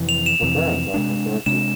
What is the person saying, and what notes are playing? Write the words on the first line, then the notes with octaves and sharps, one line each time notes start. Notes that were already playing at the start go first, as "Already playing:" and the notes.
Her parents are from Turkey.
Already playing: F2 C3 E3
F7
E7
F2 C3 E3
C3 G#3 D4
C3 G#3 D4 E7